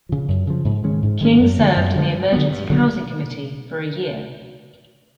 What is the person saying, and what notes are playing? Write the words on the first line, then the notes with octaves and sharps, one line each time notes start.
King served in the Emergency Housing Committee for a year.
C#3 F3
F#2
C#3 F3
G#2
D#3 G#3 C#4
G#2
D#3 G#3 C#4
F#2
D3 F3 G#3
F#2
D3 F3 G#3
G2
D3 F#3 B3
G2
D3 F#3 B3